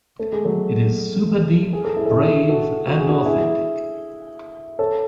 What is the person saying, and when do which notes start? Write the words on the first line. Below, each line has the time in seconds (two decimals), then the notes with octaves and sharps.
It's super-deep, brave, and authentic.
0.19 A3
0.32 G#3
0.45 F#3 A3
1.73 G#4
1.85 A4
1.96 E4 G#4
2.06 A4
2.11 E4 G#4
2.49 F#4 A4
2.87 F#4
2.98 G#4
3.08 D4 F#4
3.26 E4 G#4
4.79 A4 C#5